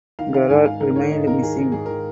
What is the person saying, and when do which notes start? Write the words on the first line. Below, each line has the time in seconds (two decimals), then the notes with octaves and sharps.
Garat remained missing.
0.19 D#3 F5
0.34 D#3 F5
0.50 G#2 G#5
0.65 D#3 F5
0.80 D#3 A#4
0.96 G#2 C#5
1.11 G#2 D#5
1.27 D#3 A#4
1.43 D#3 G#4
1.58 D#3 A#4
1.72 G#2 G#4
1.86 D#3 A#4